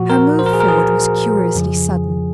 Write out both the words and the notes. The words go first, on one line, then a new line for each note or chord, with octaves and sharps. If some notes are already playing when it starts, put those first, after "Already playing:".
Her move forward was curiously sudden.
Already playing: A#2 F3 F#4
A#4
C5
A#4
G#4
A#4
G#4
F2 C#3 F3